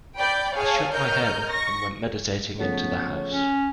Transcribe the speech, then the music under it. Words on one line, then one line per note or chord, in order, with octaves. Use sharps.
I shook my head, and went meditating into the house.
D5 G5 B5 G6
G#4 C#5 F5 G#5 A5
A#4 C#5 D#5 A#5 F6 G6
C#6 A#6
C#3 F3 A3 B3 C#5
C#4